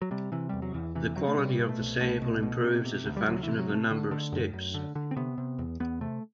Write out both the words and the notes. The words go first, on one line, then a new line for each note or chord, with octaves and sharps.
The quality of the sample improves as a function of the number of steps.
F#3
C3 G3
C3 E3
E2 G3
F#3
E2 E3
C3 E3
C3 F#3
A3
B2 G3
B2
A3
C2
C2 A3
B2
B2
C3
C3
D2
G3
D2 F#3
E3
C3
F#3
C3 A3
D3
D3
F#2
F#2
D3
D3
C4
C3 B3
C3
E2
E2 B3
C3 A3